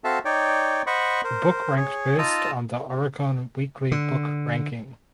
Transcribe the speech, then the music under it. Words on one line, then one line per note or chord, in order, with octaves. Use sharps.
The book ranked first on the Oricon weekly book ranking.
C4 F#4 A4 E5 F5 A5
D#4 C#5 D5 G5
C5 D#5 F#5 B5 C#6
A#4 C5
G#4 C#5
D#4 F4 A5 A#5 D#6 E6
D3